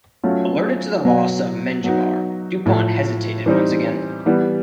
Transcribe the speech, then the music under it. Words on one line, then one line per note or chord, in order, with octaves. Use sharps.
Alerted to the loss of Mengibar, Dupont hesitated once again.
F#3 A3 C#4 F4
B2 F#3 B3
F#3 B3 D#4 F#4
A2 F3 A3
E3 G3 C4 D#4
E3 G3 B3